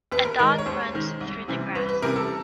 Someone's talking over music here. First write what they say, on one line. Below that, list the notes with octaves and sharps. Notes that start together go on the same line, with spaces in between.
A dog runs through the grass.
D#2 B4
A#4
D#3 G#3 A#4
C#5
D#2 C5
D#3 G#3
C2
C3 E3 G3 C4
C2 B4
B4
C3 E3 G3 C4 A#4
A4